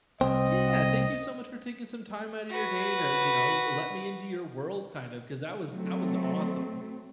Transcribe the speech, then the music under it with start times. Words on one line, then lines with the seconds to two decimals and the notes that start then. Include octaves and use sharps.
Yeah, thank you so much for taking some time out of your day to, you know, let me into your world, kind of, 'cause that was that was awesome.
0.21 C2 C4 D#5
2.51 F#4 B4
5.70 F#3 A3 C4